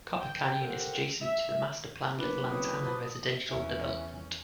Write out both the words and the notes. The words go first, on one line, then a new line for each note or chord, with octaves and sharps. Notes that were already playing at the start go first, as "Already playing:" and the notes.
Copper Canyon is adjacent to the master-planned Lantana residential development.
G5
G4 A4 A#4 C5 F#5 G5
E5
F#1 D3 A#3 B3 B4 D6
B3 C4 C#5 D#6
C5 A5 B5
E2 C#4 E4